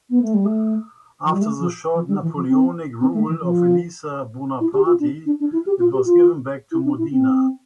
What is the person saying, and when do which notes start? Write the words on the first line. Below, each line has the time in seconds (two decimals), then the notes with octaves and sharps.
After the short Napoleonic rule of Elisa Bonaparte, it was given back to Modena.
0.10 B3
0.22 A3
0.34 G3
0.45 A3
1.24 F3
1.33 G3
1.41 A3
1.59 F3
1.95 F3
2.08 G3
2.22 E3
2.35 F3
2.48 C4
3.00 C4
3.14 A3
3.27 E3
3.41 F3
4.60 E4
4.74 G4
4.86 F4
5.00 D4
5.26 D4
5.40 D4
5.52 E4
5.66 G4
5.79 F4
5.93 G4
6.05 F4
6.72 E4
6.85 D4
6.98 E4
7.11 C4